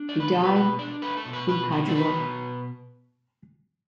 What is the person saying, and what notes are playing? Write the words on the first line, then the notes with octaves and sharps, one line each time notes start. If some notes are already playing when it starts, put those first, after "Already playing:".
He died in Padua.
Already playing: D4
A3 D5
B4
B2 A4
B4
B2 B4
D4 D5
A3 B4
A4
B2
B4
B2 B4
A3 E4
D5
F#3 B4
B2